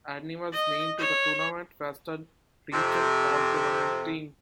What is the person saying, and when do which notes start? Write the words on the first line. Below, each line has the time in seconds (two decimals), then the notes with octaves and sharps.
Edney was named to the Tournament Western Regional All-Tournament team.
0.53 D#5
0.98 C#5
2.73 F2 C3